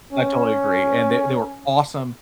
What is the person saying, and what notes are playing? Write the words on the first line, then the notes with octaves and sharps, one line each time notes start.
I totally agree and they they were awesome,
C#4